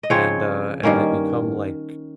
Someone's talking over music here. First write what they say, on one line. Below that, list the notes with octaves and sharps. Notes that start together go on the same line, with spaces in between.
and, uh, and they become, like,
D#5
C#3 F3 C4 C#5
G2 D#3 A#3 C#4